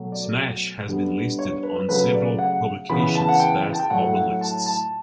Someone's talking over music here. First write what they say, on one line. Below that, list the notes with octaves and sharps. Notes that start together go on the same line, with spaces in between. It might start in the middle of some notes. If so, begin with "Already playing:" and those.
"Smash" has been listed on several publications' best album lists.
Already playing: B2 F#3 A3
D5
D3 G3 B3
C#5
B4
C#3 F#3 A3 B4
D5
F#5
C#3 E3 B3 B5
A5
F#5
G5
G5
A5
G5
A2 F#3 A3 F#5
F#5
A5
A5